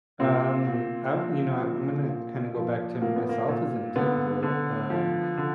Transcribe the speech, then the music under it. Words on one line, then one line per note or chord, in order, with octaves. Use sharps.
Um, uh, you know, I'm I'm gonna, kinda, go back to myself as an example, um,
A#2 C4
A#2
F3
A#2
A#2
F3
A#2 A#3
B3
A#3
A#2
D3 B3
D3
F3
D3